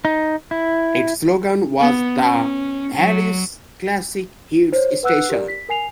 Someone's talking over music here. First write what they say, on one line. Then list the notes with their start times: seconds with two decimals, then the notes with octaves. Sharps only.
Its slogan was The Valley's Classic Hits Station.
0.05 D#4
0.51 E4
1.80 B3
2.17 C#4
2.95 F#3
4.73 C5 C#5
5.03 B4 F#5 E6 F#6
5.29 G4 A#4 D5
5.48 B6
5.69 A#4 G#5 C7 F7